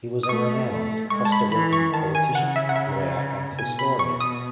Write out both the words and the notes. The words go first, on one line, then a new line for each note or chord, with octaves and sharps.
He was a renowned Costa Rican politician, lawyer, and historian.
D#6
A3 C#6
A3
G#3 C#6
A5
B5
E3 B5
C#6
D#3 A5
G#5
C#3 F#5
E5
F#5
E5
B2 G#5
B5
C#6
D#6